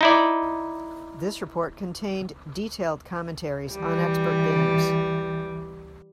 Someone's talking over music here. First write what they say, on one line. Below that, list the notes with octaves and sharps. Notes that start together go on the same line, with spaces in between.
This report contained detailed commentaries on expert games.
D#4 E4 D5
E3 G3